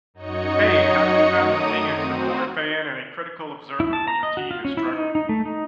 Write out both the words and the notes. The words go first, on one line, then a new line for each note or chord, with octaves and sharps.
Hey, how do you balance being a supportive fan and a critical observer when your team is struggling?
F#2 D#4 F#4 C#5 D#5 C#7
D#3 A3 A#5 D6 D#6 D#7
C4 F#4 C5
E4
A5
A#5
D#5
F#4
F4
C#4
E4
D#4
D#4
A3
D#4